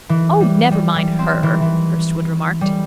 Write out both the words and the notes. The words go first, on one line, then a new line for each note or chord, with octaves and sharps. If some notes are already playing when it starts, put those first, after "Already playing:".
"Oh, never mind her," Hurstwood remarked.
E3
G3
G3
G3
C4
E3
E3
G3